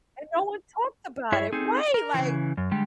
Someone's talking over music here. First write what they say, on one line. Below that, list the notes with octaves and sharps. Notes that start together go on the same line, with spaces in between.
and no one talked about it Right, like,
G2 E4 G#4 C#5 E5
C4 D#4 G#4 A4
A#4
C#3 E3
F#2
D3 G3 G#3 G4